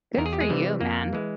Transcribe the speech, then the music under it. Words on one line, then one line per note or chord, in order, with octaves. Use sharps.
Good for you, man,
E2 A#4
G#4
G4
G#3 G#4
C3 E3 G3
F2 A#3
E3 G#3